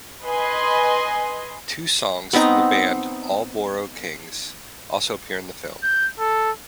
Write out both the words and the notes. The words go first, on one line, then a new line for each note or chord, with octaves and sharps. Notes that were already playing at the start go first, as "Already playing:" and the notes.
Two songs from the band All Boro Kings also appear in the film.
B4 D#5 G#5 C6
B3 C4 D#4 A#5
G6
A4